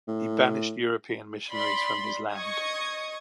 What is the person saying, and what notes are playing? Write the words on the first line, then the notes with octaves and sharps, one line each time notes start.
He banished European missionaries from his land.
A2
D5 B5 C6
D#5 C#6 D#6 G#6